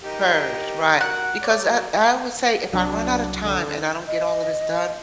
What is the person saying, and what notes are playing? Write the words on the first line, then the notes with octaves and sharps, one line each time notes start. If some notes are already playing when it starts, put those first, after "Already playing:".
First. Right. Because I I would say, "If I run out of time and I don't get all of this done,
D#4 G4 A#4
F#4 A#4 F#5
C#5 D5
F#3 A#4
C2 F#3 D4
D3
D#5